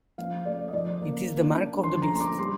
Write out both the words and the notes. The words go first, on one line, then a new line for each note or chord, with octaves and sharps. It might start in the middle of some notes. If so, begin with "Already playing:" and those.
It is the mark of the beast.
F3 F5
A3 D5
D#5
F3 D5
A#3
A#3
D4
F3 C6
A#5
A3 C6
D6
G3 C6